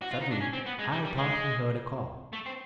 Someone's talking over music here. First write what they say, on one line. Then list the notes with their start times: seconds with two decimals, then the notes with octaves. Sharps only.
Suddenly Hal thought he heard a call!
0.02 F#4
0.11 F4
0.21 D#4
0.31 D4
0.41 C#4
0.53 C4
0.66 B3
0.79 G#3
0.92 G3
1.04 G3
1.18 G#3
2.33 A3
2.46 C4